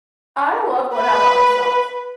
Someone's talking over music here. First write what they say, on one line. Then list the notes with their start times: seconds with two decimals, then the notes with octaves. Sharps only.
I love going out by myself.
0.95 B4